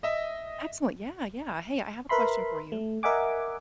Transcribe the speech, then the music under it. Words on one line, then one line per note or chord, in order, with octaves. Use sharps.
Excellent. Yeah, yeah. Hey. I have a question for you.
D#5 E5
A#4 B4 E5 B5 C6
A3
A#4 D#5 E5 F#5 G#5 D6